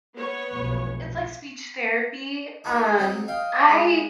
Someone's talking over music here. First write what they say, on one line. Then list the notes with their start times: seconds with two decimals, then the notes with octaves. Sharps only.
it's like speech therapy, um, I
0.15 B3 C#5
0.54 F1 B1
2.64 D#4 F#4 D#5 A#5
2.98 F#3 C4 D#4
3.28 D#5 F5 G5
3.69 G#3